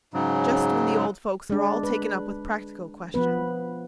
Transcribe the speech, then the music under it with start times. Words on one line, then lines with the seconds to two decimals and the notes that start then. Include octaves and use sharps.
Just when the old folks are all taken up with practical questions.
0.14 G#2 C#3 F#3
1.50 G#3 D4
1.83 B4
3.14 F3 B3 B4